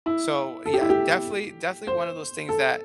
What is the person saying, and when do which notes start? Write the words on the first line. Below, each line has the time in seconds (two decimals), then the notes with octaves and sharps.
So, yeah, definitely definitely one of those things that,
0.06 E4
0.66 A4
0.74 G4
0.81 E4
0.90 G4
1.87 C5
2.49 A4